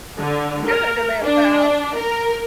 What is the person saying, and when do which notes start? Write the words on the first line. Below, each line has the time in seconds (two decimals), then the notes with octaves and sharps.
good in this house."
0.19 D3
0.66 A#4
1.23 D4
1.96 A#4